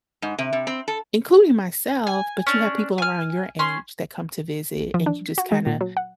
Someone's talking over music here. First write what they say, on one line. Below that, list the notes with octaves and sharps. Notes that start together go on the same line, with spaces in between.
including myself, but you have people around your age that come to visit, and you just kinda
G#2
C3
C3
C4
A4
G#5
C#4 D4
G#5 F6
C#4 C6
F3
D4
B6
F#4
G#3
A#2
F#3
F#5